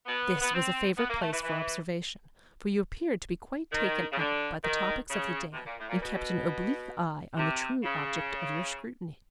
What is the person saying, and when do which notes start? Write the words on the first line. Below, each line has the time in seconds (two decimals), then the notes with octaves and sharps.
This was a favourite place for observation, for you appeared to be quite taken up by the topics of the day, and kept an oblique eye on the true object of your scrutiny. . . .
0.06 B3
0.40 B3
0.52 C4
0.97 B3
1.09 A#3
1.21 A3
1.31 E3
1.43 E3
3.72 D#3
4.12 C#3
4.18 D3
4.63 D#3
5.09 C#3
5.51 C3
5.54 B2
5.66 A#2
5.78 A2
5.88 A#2
6.00 B2
7.37 C3
7.82 C#3